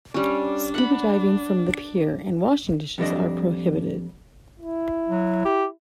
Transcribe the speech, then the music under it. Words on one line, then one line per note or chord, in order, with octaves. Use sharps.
Scuba diving from the pier and washing dishes are prohibited.
G3 C#4 D4
F#5 B5
F2 G3 D4 D#5
E4
F#3
G4